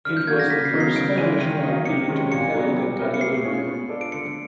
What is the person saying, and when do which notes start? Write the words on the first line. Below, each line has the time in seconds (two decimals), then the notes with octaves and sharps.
It was the first Spanish Grand Prix to be held at Catalunya.
0.05 D3 F6
0.17 G6
0.27 F#3 A#3 D4 F#4 G#6
0.39 A#6
0.50 C#3 B6
0.65 C7
0.73 F#3 B3 D#4
0.80 C7
0.95 C#3 D7
1.18 E3 G#3 D#7
1.41 D#3 D#7
1.63 F#3 A#3 D#4
1.86 C3 C#7
2.09 D#3 G#3 C#4
2.31 A#2 C#7
2.54 F#3 B3
2.76 G3
2.99 B3 E4 G4 A#4
3.14 C#7
3.21 A3 C7
3.44 C#4 F4 G#4 C#5
3.67 B3
3.90 D4 F4 A4 D5
4.01 D7
4.12 D3 C#7